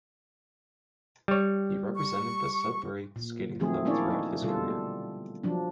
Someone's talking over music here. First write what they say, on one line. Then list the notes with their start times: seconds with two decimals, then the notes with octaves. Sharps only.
He represented the Sudbury Skating Club throughout his career.
1.28 G3 C#5
1.96 C#6
3.16 A#2
3.60 D#3 F3 F#3 A3 C4 G#4
3.85 A#3 C#4 D4 E4 C#5 D5
4.10 D#4
4.42 B2 D3 G3 F4 A4
5.44 F3 F#3 D4